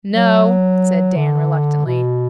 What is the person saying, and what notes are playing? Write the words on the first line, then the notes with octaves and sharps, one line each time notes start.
"No," said Dan reluctantly.
F#3
D3
B2